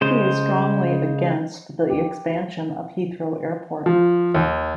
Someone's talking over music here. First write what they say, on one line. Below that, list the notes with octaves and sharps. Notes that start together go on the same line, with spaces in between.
He is strongly against the expansion of Heathrow Airport.
C#3 G#3 C5
G4
F3
D#2